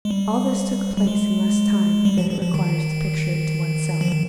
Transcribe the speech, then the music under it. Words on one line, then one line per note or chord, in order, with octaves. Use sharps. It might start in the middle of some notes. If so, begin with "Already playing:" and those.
All this took place in less time than it requires to picture it to one's self.
G#3
G3
G3
G#3
G3
F3
F3
F3
D#3
F3
D#3